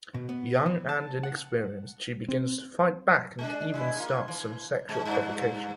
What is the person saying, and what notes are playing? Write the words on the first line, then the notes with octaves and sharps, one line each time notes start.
Young and inexperienced, she begins to fight back and even starts some sexual provocation.
B2
B3
E3
A5
F#5
C4
G#3 D4
G#3 E4
A#3 F4
E3
A#2 G#3
G2